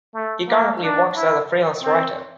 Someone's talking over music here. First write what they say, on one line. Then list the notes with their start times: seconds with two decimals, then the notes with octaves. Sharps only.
He currently works as a freelance writer.
0.14 A3
0.48 A#3
0.81 D4
1.15 E4
1.82 C4